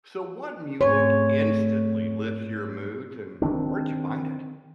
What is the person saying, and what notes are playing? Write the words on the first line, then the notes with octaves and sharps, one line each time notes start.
So, what music instantly lifts your mood, and where'd you find it?
G#2 A3 C4 C#5 G#5
D#3 C4 D4